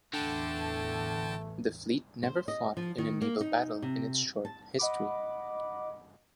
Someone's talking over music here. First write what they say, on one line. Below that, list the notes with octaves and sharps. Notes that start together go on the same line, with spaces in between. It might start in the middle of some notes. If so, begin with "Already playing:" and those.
The fleet never fought in a naval battle in its short history.
A1 E2 D3 A3 G5 A5
C5
D#5
F3
D#3
A#3
D#4
C3
A5
D#5 F#5 B5 D6